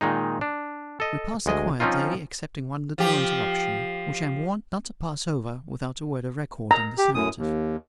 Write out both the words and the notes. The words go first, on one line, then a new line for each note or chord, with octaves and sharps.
We passed a quiet day, excepting one little interruption, which I am warned not to pass over without a word of record in this narrative.
A#2 D#3 G#3 D#4
D4
A4 D#5
D2 G#3 D#5
F3 C4 C#4 D#4 F4
F3 G4
A#5
G4
F#2 A2 D#6
D#2